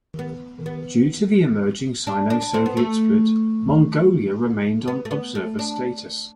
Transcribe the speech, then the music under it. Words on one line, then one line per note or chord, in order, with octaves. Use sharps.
Due to the emerging Sino-Soviet split, Mongolia remained on observer status.
B3
B3
D4
D4
D4
C4
B3
A3
B3
A3
B3
A3
D4